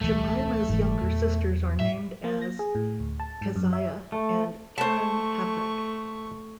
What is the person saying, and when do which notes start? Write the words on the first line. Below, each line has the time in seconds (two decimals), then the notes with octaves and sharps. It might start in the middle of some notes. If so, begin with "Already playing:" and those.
Jemima's younger sisters are named as Keziah and Keren-Happuch.
0.01 D1 B1 E3 A3
0.69 F#1 G#2 E3
1.01 E2 A#2
1.80 A2 E5
2.24 A#3
2.42 A#6
2.59 G#4
2.75 A2
3.00 D2
3.20 A5
3.41 G#2
3.56 F#2
3.73 E5
4.12 A3
4.78 A3 C5 A5 C#6